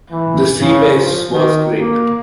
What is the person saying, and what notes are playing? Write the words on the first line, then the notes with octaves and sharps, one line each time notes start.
That seabass was great.
E3
C#3
F3
D#3
A#3